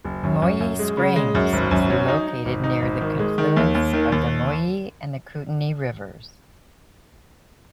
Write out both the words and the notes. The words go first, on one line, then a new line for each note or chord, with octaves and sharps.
Moyie Springs is located near the confluence of the Moyie and Kootenai rivers.
F#1
F#2
F#2
F#2
G#3
C#3
G#3
F#2
G#1
F#2
F#3
D#4
D#4
G#1
D#4
G#1
D#3
G#3
D#3
D#2
D#2
D#3
D#2